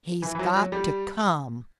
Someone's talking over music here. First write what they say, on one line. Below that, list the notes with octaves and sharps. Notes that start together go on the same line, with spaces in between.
"He's got to come!"
E3
E3
F#3
F#3
G3